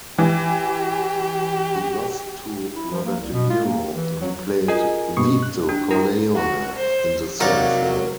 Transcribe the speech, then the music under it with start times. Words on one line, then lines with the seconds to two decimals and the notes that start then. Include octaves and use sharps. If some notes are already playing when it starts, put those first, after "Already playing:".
He lost to Robert De Niro, who played Vito Corleone in the same film.
0.18 E3 G4
2.76 E4
2.91 F3
3.05 A#3
3.20 C2
3.32 B2
3.50 F4
3.64 A#3
3.93 E3
4.21 F#3
4.68 F4 G#4 A#4 D#5 G#5
5.17 G2 B2 A#3 C#6
5.43 F#6
5.69 D4
5.91 D4 E4 A#4 A#5
6.35 F#4
6.76 C5
7.40 C3 F#3 D#4 F#4 A#4 D5 F5